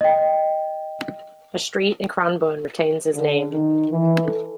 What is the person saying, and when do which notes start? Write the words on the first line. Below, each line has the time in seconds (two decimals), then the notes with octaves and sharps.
A street in Cranbourne retains his name.
0.01 D#5 G5
3.15 D3
3.51 D#3
3.91 E3
4.25 A4